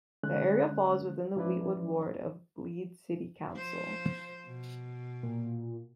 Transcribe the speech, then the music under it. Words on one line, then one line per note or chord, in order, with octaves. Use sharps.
The area falls within the Weetwood ward of Leeds City Council.
D3 G#3 C#4 F#6
G#2 F3 C#4 E4 B4 D5
F3 C5
B2
A#2